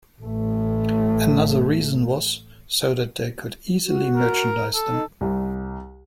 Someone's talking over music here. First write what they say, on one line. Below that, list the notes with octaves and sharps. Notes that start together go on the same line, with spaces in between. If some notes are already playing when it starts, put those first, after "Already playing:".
Another reason was so that they could easily merchandise them.
A1 A3
F#4
A#4
A4
D#4
C2